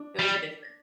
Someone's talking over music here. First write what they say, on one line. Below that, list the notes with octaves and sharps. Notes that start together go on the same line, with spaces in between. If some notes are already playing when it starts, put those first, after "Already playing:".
it was different.
Already playing: D4
G3